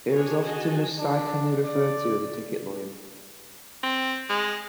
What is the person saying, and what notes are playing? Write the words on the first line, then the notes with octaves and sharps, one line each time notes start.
It is often mistakenly referred to as a ticket line.
D4 G#4 C#5
F#4 G#4 D#5 G#5 A5
D4
D5
C4
G#3